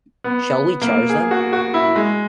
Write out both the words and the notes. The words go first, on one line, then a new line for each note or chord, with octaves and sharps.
Shall we charge them?
B3
A#3
G#4
F#4
F#4
E4
G#3